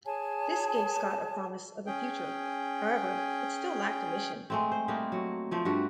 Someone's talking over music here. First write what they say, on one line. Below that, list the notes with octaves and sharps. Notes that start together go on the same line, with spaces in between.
This gave Scott a promise of a future; however, it still lacked a mission.
G#4 C#5 G#5 A5
C#4 G#4 G5
G#3 A3 C4
C5
G3 A3 A#3 D#4
F#3
F3 A3 C5
G2 A3 F#4 G4